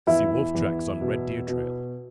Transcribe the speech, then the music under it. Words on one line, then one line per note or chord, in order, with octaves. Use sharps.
See wolf-tracks on red deer trail.
E2 E4
E2
B2
B2